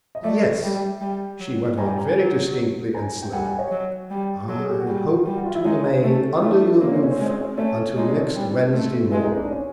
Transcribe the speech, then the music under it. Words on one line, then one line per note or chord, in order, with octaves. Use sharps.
Yes," she went on very distinctly and slowly, "I hope to remain under your roof until next Wednesday morn.
D#5
A3 D5 E5
G3
G3
F#3
G3 G#5 A#5
G#5 A#5
F#3
G#5 A#5
G5
G3 F#5 G#5
F#5 G#5
C#5 D#5
F#3
G3
F#3 A4
G#4
G4
F#4 G#4
G3
G3
F#4
F4
E4
G#3 C#4 D#4
C#4 D#4
A3
A3 D4 E4
A#3 C4
C#4
C4
C#4
C4
G#3 C#4
C4
C#4
C4
A3 C#4
G#3 D#4
D4
C#4
C4 D4
G3
A3 C4
G#3 E4
D#4
D4
C#4